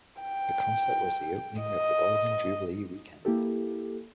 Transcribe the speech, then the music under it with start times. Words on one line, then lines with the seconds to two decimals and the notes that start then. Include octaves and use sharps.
The concert was the opening of the Golden Jubilee Weekend.
0.22 G5
1.62 D#5
3.25 A#3 E4 G4 A4